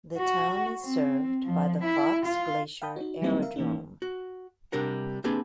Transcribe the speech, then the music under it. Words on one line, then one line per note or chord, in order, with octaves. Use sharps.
The town is served by the Fox Glacier Aerodrome.
F#4
C4
F3
E4
F4
F5 G5 A5 B5 D#6 G6
D#4 F#4
F#3 G3 A#3 C4 D#4 E4
A#4 E5 F5
E3 A#3 C#4 D#4
F#4
C3 G3 D4 A#4 F#5
A#3 C4 D4 G4 G#4 B4